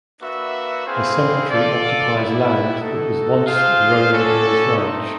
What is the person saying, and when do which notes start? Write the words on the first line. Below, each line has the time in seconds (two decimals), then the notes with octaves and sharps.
The cemetery occupies land that was once the Rolling Hills Ranch.
0.20 A#3 D4 F#4 B4 E5
0.85 C4 E4 G#4 C5 F5
1.50 F4 A4 D5
2.15 G3 B3 E4
2.80 D#4 F#4 A4
3.45 F4 G#4 C5 F5
4.11 C#4 F#4 A4 D5
4.76 A3 C4 D#4